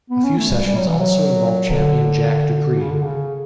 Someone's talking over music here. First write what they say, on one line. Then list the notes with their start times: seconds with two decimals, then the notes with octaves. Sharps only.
A few sessions also involved Champion Jack Dupree.
0.10 B3
0.24 C#4
0.38 A3
0.50 G3
0.64 G3
0.76 F#3
0.88 E3
1.00 F#3
1.72 D3
2.79 C#3
2.91 D3
3.02 C#3